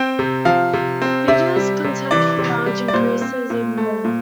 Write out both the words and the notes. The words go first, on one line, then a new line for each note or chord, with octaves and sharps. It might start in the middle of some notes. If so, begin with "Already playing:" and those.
Vidya's contempt for Raj increases even more.
Already playing: C4 G5
C3
F3 F5
C3
C4
C3 E5
G3
C3
E3 D5
C3
G3
D5
A#2 C5
C4
A#2
A3
A#2